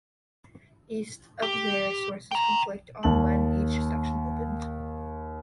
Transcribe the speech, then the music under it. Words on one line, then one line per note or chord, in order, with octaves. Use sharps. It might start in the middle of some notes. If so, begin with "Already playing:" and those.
East of there, sources conflict on when each section opened.
G4
G5 A#5
D#2 A5 F#7